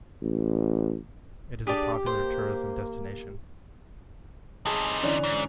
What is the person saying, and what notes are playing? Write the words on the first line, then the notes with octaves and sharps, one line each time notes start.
It is a popular tourism destination.
A1
D4 G4 G#4 D5
A#3 C5
C3 D#4 G#4 G#5 A5
D3 E3 C#4 D5
G#2